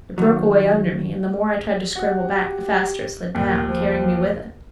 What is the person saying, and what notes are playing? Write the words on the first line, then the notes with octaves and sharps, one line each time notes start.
It broke away under me and the more I tried to scramble back the faster it slid down, carrying me with it.
D#3 F#3
F#4 G4
D#2 A#2
F3